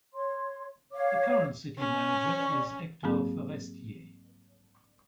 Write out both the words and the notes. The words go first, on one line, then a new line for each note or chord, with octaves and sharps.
The current city manager is Hector Forestier.
C#5 C6
C#5 F5 D6
C#4 G#5
D5 C#6
G#2 F#3 A#3 C4 G#4